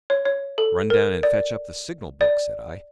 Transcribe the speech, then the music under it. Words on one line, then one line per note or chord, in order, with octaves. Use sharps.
"Run down and fetch up the signal-book," said I.
C#5
C#5
A4
A#4
D5
D5